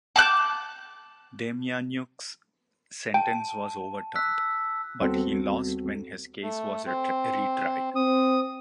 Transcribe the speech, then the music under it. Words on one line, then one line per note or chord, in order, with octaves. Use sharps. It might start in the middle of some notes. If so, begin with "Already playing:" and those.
Demjanjuk's sentence was overturned, but he lost when his case was retried.
A5 D6 F#6 G6
G5 A5
E6 F#6 B6
D#2 G3 B3 C4 F#4 A4
A3
C4
C4 D#6